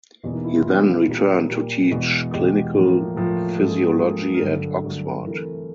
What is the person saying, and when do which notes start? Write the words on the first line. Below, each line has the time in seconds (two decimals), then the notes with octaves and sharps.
He then returned to teach clinical physiology at Oxford.
0.23 E2 B2 G3 A#3 C#4
0.34 D#4
0.44 E4
0.55 F4
0.66 E2 B2 G3 A#3
1.07 A#2 G3 A#3
1.48 A#2 G3 A#3 G4
1.91 E2 B2 G#3
2.32 E2 B2 G#3 G4
2.74 A2 F3 A#3
3.16 A2 F3 A#3
3.58 G#2 F3 A#3 A4
3.68 G#4
3.78 G4
4.00 G#2 F3 A#3 G#4
4.34 A#4
4.41 G2 D3 F#3 A3 A4
4.83 G2 D3 F#3 A3
5.24 C3 E3 A3 A#4